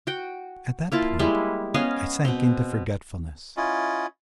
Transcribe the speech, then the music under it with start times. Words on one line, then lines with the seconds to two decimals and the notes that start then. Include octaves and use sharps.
At that point I sank into forgetfulness.
0.07 F#4 G5
0.92 A#3 E4 F4 A5
1.19 G3 G#3 E4
1.74 B3 C#4 D#5 F5
2.25 B2 C4
3.57 C#4 E4 F4 D#5